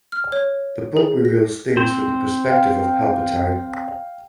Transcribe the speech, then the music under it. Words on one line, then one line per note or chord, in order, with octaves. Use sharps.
The book reveals things from the perspective of Palpatine.
F6
C#5
G#4
A#6
C4 C5
F5 G5